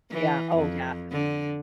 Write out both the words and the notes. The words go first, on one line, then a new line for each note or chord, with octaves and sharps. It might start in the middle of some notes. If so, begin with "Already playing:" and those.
Yeah oh, yeah.
E3
F2
D3